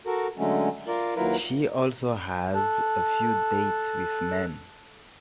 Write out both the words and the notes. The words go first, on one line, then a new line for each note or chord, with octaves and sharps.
She also has a few dates with men.
F#4 A4 A#4
D3 F#3 G#3 A3 C#4
F4 A#4 D5
D#2 F#3 E4 F4 A#4 B4
A4 A5 F#6